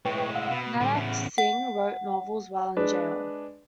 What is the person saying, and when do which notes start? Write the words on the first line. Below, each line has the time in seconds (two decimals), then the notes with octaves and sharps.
Nanak Singh wrote novels while in jail.
0.05 A2 G#3 B4 G5 C#6
0.35 F5 F#5 E6
0.51 B2
0.64 B5
0.81 A2 D3 G3
0.94 E2 C#3
1.38 F#5
2.77 G#3 D4 B4